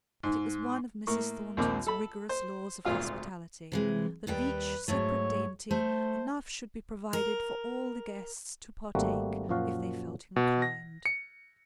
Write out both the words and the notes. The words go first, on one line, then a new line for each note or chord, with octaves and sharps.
But it was one of Mrs. Thornton's rigorous laws of hospitality, that of each separate dainty enough should be provided for all the guests to partake, if they felt inclined.
G#2
A2 A#3 C#6
A#1 D#2 A#3 C4 D6
A4 B5
C5
G#1 D2 A#2 F4 F5 F6
C3 E3 G#3
D#2 G3 B4 G5
G#2 F#3 A3 C#5
A3 C5
A#4
G#1 G3 A3 A#3 C4 F#4
F#2 A#2 F3 F#4 F5
B2
A#6
C#7